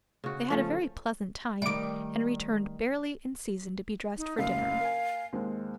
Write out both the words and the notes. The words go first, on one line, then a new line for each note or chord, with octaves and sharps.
They had a very pleasant time, and returned barely in season to be dressed for dinner.
C#3 F#4
F3 A3 C#4
D#3 G3 A3 D6 D7
D#4
F#1 F#2 F5
A#4 G#5
D#2 G#3 C4